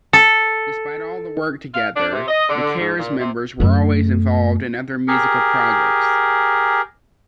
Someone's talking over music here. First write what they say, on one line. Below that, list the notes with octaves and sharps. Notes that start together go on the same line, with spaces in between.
Despite all the work together, Necare's members were always involved in other musical projects.
A4
F5
D4
C3
D#5
D3
G#2
A#2
C3
F#2 A3
G4 G#4 A#4